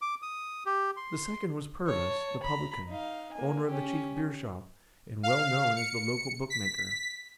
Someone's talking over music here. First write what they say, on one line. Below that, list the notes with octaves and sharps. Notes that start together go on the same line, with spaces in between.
The second was Purvis, the publican, owner of the chief beer-shop, and well known as the local bookmaker.
D6
D#6
G4
C6
C#5 A5
A#5 B5
D#4 F5
A#3 G#5
C#4 G4
F5
C#7
B6